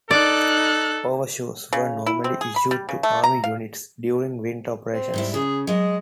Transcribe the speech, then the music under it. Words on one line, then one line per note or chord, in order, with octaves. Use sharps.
Overshoes were normally issued to Army units during winter operations.
D#4 A4 D5 F#6
C#3
E4
C4
G#4
B5
G3
C#3
A3
A#5
F5
C4
G#2 G3 E4
C#3 G#4
F#3 G#3 D#5